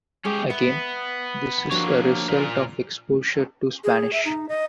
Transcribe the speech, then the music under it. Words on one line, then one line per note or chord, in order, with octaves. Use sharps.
Again, this is a result of exposure to Spanish.
G#3 C#4 G4 G#4
B3 E5
F3 A#3 D4 F#4 C#5
A#2 A#4
G#4
E5
D#4
D#5